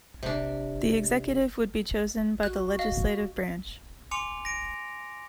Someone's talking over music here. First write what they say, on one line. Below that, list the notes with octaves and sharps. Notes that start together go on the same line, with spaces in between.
The executive would be chosen by the legislative branch.
C3 D4
F#4 F#6
D#5 F5
G#5 C6 D6 C#7 F7
A#6 D7